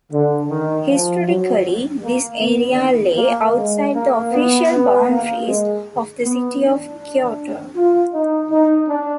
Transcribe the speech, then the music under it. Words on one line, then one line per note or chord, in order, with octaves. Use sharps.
Historically, this area lay outside the official boundaries of the city of Kyoto.
D3
D#3
F3
F#3
A#3
B3
A#3
G#3
A#3
B3
B3
A#3
G#3
B3
D4
F4
D#4
D#4
D4